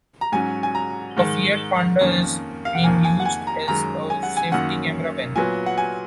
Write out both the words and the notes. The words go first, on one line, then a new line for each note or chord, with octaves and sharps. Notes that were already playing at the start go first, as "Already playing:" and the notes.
A Fiat Panda is being used as a safety camera van.
A#5
G#2 F#3 C#4 G#5
G#5
A#5
G#2 D#3 G#3
F2 D#3 A#3 C#4
F5
F#5
F2 D#3 A#3 G#5
G#5
F#5
G#5
A#5
F#2 D#3 G#3 A#5
G#5
F#5
G#5
F#2 D#3 A#3 C#4 F#5
A#2 F#3 B3 G#5
F#5
G#5